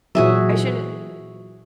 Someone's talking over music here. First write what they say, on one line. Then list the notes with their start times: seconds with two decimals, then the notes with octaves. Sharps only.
I shouldn't
0.15 A#2 E3 F#3 F#4 G#4 E5